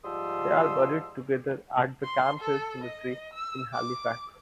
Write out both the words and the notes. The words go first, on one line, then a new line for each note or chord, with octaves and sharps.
They are buried together at the Camp Hill Cemetery, in Halifax.
G#2 F3 G3 C6 D#6 E6
C6
A4
D#5
E6
D6